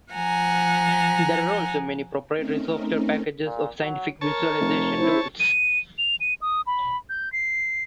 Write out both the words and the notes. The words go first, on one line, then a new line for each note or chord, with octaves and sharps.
There are also many proprietary software packages of scientific visualization tools.
F3 F#5 G#5 A#5
A3 C4 C#4 D#4 A#4
A#2
F#3
A#4 C#5 A5
F1
E4 C5
D#7
F7
D#7
D#6
B5
G6
C7